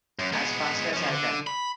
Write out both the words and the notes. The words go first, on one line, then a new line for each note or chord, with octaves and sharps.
As fast as I can!
F#2
G#3 B3
F3 C#4
D3
B5